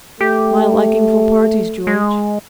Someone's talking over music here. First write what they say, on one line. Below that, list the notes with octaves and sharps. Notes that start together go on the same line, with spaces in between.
"My liking for parties, George."
A3 G4
G#3